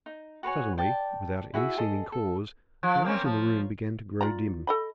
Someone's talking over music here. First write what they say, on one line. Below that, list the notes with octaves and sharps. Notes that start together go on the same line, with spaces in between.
Suddenly, without any seeming cause, the light in the room began to grow dim.
D#4
F#4 B4 C#5 G#5
D5 G5 A5
E4 F#4 G#4 E5
G#4 A4 D#5 D#6
A4
F3
A#3 C4 C#4
F3
F4 D5 A#5
A4 D#5 B5